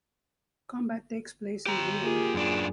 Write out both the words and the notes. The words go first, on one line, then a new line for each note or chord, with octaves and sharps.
Combat takes place in real-time.
G4 A#5
A#3 F4 G#4
F#2 D4